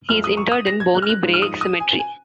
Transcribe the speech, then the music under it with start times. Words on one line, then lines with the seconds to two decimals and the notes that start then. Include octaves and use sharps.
He is interred in Bonnie Brae Cemetery.
0.09 F#2 F3 G#3 F6
0.24 D#6
0.37 C#6
0.52 D#6
0.67 A#6
0.80 G#6
0.95 F#6
1.02 F6
1.09 F#6
1.23 G#2 F3 G#3
1.34 F6
1.42 D#6
1.61 D#6
1.80 G#5
1.99 G#5